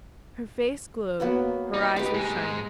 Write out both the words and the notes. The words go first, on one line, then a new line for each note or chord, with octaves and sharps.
Her face glowed, her eyes were shining.
F#3 A#3 B3
D#4 D#5
D#4 G4 B4 D6
G#2 G#3